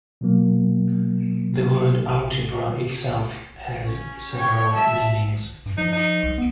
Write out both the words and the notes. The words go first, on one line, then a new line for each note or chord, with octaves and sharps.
The word "algebra" itself has several meanings.
B2 F#3 A#3
C#4
C#5 G5
E5 A5
G2
F3 D#4
D#4
C2
B3